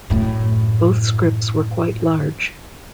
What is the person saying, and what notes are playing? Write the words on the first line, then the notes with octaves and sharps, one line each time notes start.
Both scripts were quite large.
F#2 A2